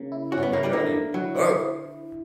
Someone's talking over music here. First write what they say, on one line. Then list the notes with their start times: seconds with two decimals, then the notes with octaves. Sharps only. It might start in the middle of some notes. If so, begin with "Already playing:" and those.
On my journey - oh!
Already playing: C#3 A#3
0.12 E4
0.32 C#4 F#4
0.43 B3
0.53 A#3 E4
0.63 G3
0.73 D3 A#3
0.94 D3
1.14 F#3 E4
1.35 E4